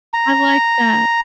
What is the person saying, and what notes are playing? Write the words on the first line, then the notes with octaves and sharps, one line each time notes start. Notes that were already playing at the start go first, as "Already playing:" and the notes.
I like that.
A#5